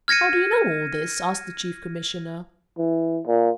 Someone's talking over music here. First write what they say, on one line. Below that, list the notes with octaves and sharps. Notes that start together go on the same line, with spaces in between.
"How do you know all this?" asked the Chief Commissioner.
F6 G#6 A#6 C#7 D#7
E3
A#2